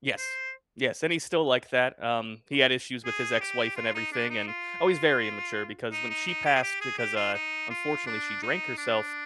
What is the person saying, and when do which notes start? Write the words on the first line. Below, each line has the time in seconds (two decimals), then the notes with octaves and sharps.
Yes. Yes, and he's still like that, um, he had issues with his ex-wife and everything and oh, he's very immature because when she passed because, uh, unfortunately, she drank herself,
0.18 C5
3.05 G#4
3.41 G4
3.76 F4
3.95 D#4
4.12 D4
4.30 D#4
4.48 F4
5.92 D#4
6.10 D#4
6.28 D#4
6.46 G4
6.56 G#4
6.63 G4
6.81 G#4
6.99 G4
7.16 F4
7.34 D#4
7.70 F4
8.07 D4
8.42 D#4
8.78 D4